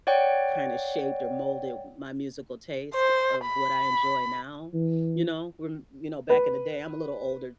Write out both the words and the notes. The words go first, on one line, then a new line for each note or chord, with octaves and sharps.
kinda shaped, or molded, my musical taste of what I enjoy now, you know? When you know, back in the day I'm a little older
C#5 D5 F#5 G5
C5
B5
E3
B4